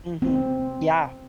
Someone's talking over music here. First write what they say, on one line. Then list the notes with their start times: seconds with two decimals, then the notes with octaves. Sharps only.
Mhm. Yeah.
0.22 C4